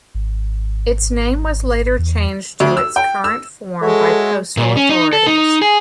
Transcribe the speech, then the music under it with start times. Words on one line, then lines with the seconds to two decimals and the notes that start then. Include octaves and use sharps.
Its name was later changed to its current form by postal authorities.
0.15 G#1
1.99 E2
2.60 D2
2.77 E6
2.96 G5
3.24 E6
3.82 G#3 F#4 A4 C#5 E5
4.57 A#2
4.77 C#4
4.89 D#4
5.13 A4
5.27 D#4
5.62 G#4